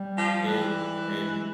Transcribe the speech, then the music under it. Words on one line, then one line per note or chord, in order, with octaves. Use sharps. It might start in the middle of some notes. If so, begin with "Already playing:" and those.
and and,
Already playing: G3
F3
E3 G3
G#3